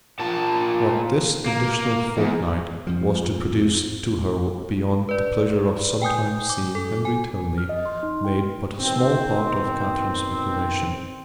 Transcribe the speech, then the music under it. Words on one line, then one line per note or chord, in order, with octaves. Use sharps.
What this additional fortnight was to produce to her beyond the pleasure of sometimes seeing Henry Tilney made but a small part of Catherine's speculation.
A#2 A5
A#3
E2
F2 F3
B4 D5
G5 G#5 D#6 G6
D6
A4
G#5
F6
D#5
C6
D#4
G5
B2 D#3 C4